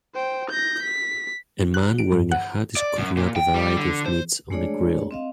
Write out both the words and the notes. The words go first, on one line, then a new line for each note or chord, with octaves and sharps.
A man wearing a hat is cooking up a variety of meats on a grill.
C5 G5
G6 A#6
B6
F#6
D7
G2
F#5
D5
F#2
A#2
G5
G3
D3
C5
G#3 A3 D4 G#4 C#5 D5
C4 D#5 F5